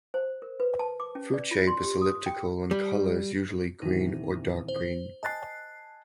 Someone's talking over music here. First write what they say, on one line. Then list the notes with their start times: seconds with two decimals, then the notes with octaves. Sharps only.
Fruit shape is elliptical and color is usually green or dark green.
0.14 C5
0.42 A#4
0.60 B4
0.79 A5
1.00 D6
1.15 C#4
1.34 D5
1.51 F4
1.67 C6
1.84 G4
2.02 D#6
2.26 G5
2.71 G3
3.82 D#1 C3 E3 D#4
4.68 C5
5.23 D#5 G#5 A5 F#6 A6 C7